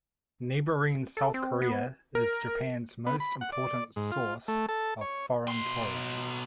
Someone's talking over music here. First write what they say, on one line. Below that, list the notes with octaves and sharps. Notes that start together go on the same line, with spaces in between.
Neighbouring South Korea is Japan's most important source of foreign tourists.
A4
C4
B3
A#4
B3
B5
F#5
D5
G#2
F4
A3
A4
C#5
B2 C6